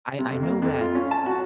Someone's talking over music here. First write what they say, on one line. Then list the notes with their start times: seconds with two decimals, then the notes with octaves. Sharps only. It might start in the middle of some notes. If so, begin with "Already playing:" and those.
I I know that,
0.19 C3
0.31 F2
0.43 A#3
0.62 F2
0.81 F4
0.95 C#4
1.11 A5
1.26 F#4